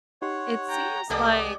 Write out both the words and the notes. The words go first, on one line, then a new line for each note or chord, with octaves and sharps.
it seems like
D#4 G4 C#5 F#5 C6
G5 A#5
C2 G#3 G4 A4 A#4 D5 D#5 F#5